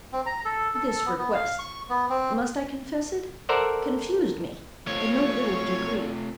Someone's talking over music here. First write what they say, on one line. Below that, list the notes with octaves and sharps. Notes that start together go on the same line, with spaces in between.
This request--must I confess it?--confused me in no little degree.
C4
A#5
A4
A4
A4
B3
B3
F5
C#6
B3
C4
A4 A#4 C5 D5 E5 F#5
A3 C4 F4 C#5